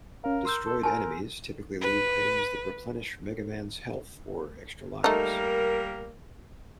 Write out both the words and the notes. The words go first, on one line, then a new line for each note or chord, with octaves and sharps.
Destroyed enemies typically leave items that replenish Mega Man's health or extra lives.
C#4 A#4 F5
C6 E6 G6
A4
A#4 G#5 A5
B4
G3 A3 A#3 D#4 A#4